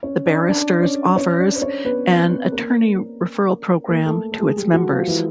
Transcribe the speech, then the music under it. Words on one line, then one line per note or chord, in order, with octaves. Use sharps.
The Barristers' offers an attorney referral program to its members.
C#4 C#5
D4 D5
D4 D5
C#4 C#5
C#4 C#5
D4 D5
C5
C#4 C#5
B3 B4
C4 C5
C4 C5
A#3 A#4
A#3 A#4
A3 A4
A4
G#3 G#4
G3 G4
F#3 F#4
F3 F4
E3 E4